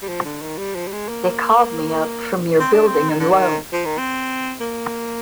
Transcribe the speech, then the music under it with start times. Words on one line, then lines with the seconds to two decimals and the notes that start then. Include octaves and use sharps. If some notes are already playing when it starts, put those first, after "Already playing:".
They called me up from your Building and Loan.
0.02 G3
0.09 F3
0.25 D3
0.42 D#3
0.58 G3
0.75 F3
0.87 G3
0.93 G#3
1.09 A#3
2.59 C4
2.73 D4
2.87 C4
3.10 D#3
3.20 D3
3.31 D#3
3.73 F3
3.85 D#3
3.98 C4
4.60 A#3